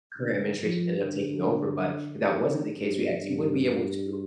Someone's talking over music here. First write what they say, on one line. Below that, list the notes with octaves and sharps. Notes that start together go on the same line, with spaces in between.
current administration ended up taking over, but if that wasn't the case, we actually would be able to,
D3
F3
D3
G2
G2